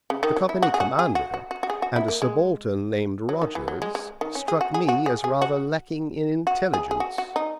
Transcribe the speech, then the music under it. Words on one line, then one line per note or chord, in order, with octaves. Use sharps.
The company commander and a subaltern named Rogers struck me as rather lacking in intelligence.
C#3
D#3
F#3
E4
F#4
G#4
F#4
G#4
F#4
F#4
F#4
F#4
G#4
F#4
E4
A#3
G#3
F#3
D#3
E3
F#3
G#3
G#3
D#3
C#4
G#4
F#4
G#4
F#4
G#4
G#4
F#4
F#4
G#4
G#4
F#4
F#4
D#4